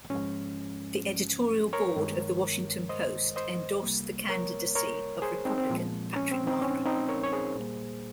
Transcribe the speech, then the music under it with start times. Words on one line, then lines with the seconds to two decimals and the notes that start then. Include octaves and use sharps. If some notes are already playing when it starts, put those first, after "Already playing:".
The editorial board of The Washington Post endorsed the candidacy of Republican Patrick Mara.
0.10 G#2 F3 G#3 C#4
1.73 A#4 C#5
1.97 G2 D#3 G#3
2.89 C5 D#5
3.36 C5 D#5
3.83 C2 C3 G3 A#3
4.29 A#4 C#5
4.75 A#4 C#5
5.22 G#4 C5
5.45 C4 D#4
5.58 C4
5.70 A#2 F3 G#3
6.16 C#4
6.31 C4
6.47 C4 D#4
6.62 C#4
6.85 C4 D#4
7.09 A#4 C#5
7.24 C#5
7.32 G#4 C5
7.55 A#2 G3 A#3